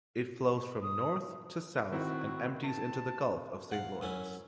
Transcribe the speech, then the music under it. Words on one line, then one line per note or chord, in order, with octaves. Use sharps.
It flows from north to south and empties into the Gulf of Saint Lawrence.
D#6
D#3 C4 E4 F#4
A5
F5 F#5
F#2 C#4 E4